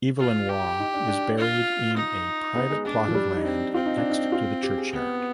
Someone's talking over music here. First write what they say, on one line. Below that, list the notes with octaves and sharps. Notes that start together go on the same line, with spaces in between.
Evelyn Waugh is buried in a private plot of land next to the churchyard.
F4
G4
D#4
D4
D4
F4
D#4
B3
G#3
G#3 D4
F3
G3
D#4
C4 D4
C4 F4
D#4
D4
D#4
F4
G4
G#4
B3